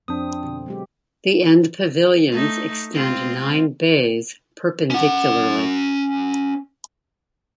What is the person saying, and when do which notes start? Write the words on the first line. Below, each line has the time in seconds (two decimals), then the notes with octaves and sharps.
The end pavilions extend nine bays perpendicularly.
0.08 F2 C4 D4 D#6
0.43 B2 D3
0.66 F#3 G#3 G4
2.31 A3 D#4
2.94 G#3 C4 F4
4.90 C#4 F#5